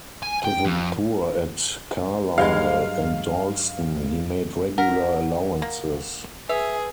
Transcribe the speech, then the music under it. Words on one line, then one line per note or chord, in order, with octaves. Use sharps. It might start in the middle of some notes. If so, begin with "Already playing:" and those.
To the poor at Carlisle and Dalston he made regular allowances.
G#5
G5
F2
G2 F#3 G#3 F5
A#4 F#5
A#3
G#4 B4 E5